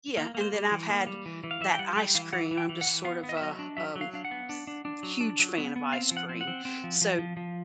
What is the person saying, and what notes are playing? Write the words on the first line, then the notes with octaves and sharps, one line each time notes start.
Yeah, and then I've had that ice cream, I'm just sort of a, um, s huge fan of ice cream, so
A#3
A#3
C5
G3
E3
A#3
G3
E3
E3
F5
E3 E5
G5
G3 F#5
G3 G5
E3 F5
E3 F#5
E3
G5
E3
F#5
E3
B3 F5
B3
D#5
E5
F#3 D#5
D4
F#3 E5
F#3
F5
D4 F5
F#5
B3
D4
D4
D4
F#3
D4
F#3
B3
B3
C4 F5
F3
F#5
C4
F#5
C4
C4
F3
F3
F3
F3